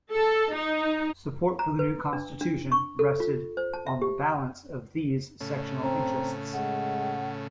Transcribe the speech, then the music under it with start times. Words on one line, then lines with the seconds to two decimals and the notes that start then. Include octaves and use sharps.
Support for the new Constitution rested on the balance of these sectional interests.
0.12 A4
0.53 D#4
1.59 A#5
1.79 B4
2.13 D4
2.41 D4
2.72 C#6
2.99 A4
3.20 F4
3.57 C5
3.74 A5
3.87 E5
4.02 G4
5.41 A2 C#3
5.83 C4 A#5
6.53 G#3 F#5